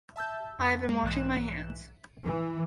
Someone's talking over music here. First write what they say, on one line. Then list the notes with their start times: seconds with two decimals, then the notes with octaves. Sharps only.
I have been washing my hands.
0.16 E5 A5 E6 G6
0.59 F2
0.89 G#3 A#3
1.03 B1 G#2 E3 F#6 E7
2.24 E3